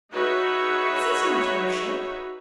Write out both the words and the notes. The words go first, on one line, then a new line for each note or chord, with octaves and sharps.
This is not your ship.
D#4 F#4 G#4 B4 C#5 E5